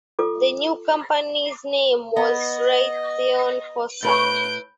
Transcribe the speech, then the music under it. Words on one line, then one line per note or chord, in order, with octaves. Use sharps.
The new Company's name was Raytheon Cossor.
F4 A4 D6
B3 D#5
A2 B4 C#5 G6 D7